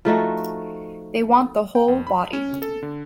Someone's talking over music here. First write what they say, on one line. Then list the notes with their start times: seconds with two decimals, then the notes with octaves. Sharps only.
They want the whole body.
0.05 F3 A3 D#4 F#4
1.75 G5
1.88 F2
2.07 B5
2.33 C#4
2.62 A4
2.83 D3